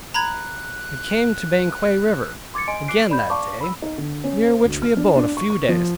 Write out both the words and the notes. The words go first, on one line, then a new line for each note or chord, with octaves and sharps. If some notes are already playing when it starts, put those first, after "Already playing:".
We came to Banquang river again that day, near which we abode a few days.
A#5 B5 F#6 G#6
C6 D6 G#6 A6 C#7
D#5 G#5 C6 D7
D6 F#6 C7 D7
D5 B5 G6
D5 F5 A5 C#6 D6
B5 E6
D#4
D3
C#4
C5
D2
F6
D4
D4
C#6
C#6
F3